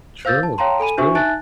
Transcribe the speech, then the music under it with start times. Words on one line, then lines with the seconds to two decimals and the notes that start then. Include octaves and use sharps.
True, true,
0.25 C5 F5 E6 G6 A6
0.43 A5
0.58 C#5 F5 G5 A5 A#5 C6
0.80 A4 G#5 B5 D#7
0.98 D4 F#4 C5 E5 G#5 C#6
1.15 D#4 E5 G#5 A5 F#6 A6